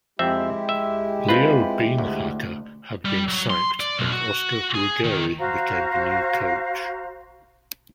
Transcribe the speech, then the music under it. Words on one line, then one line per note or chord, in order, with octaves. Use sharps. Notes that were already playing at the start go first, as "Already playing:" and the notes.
Leo Beenhakker had been sacked and Oscar Ruggeri became the new coach.
F2 G#3 C4 E4 G4 E5
E5
C4 F4 B4
D2
G3
F#3
C6
D5
B1
F#4
G#4
D#3
F#4 C5 F5 A#5